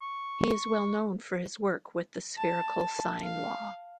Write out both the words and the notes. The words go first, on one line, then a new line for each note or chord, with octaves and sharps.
He is well known for his work with the spherical sine law.
C#6
A5
F5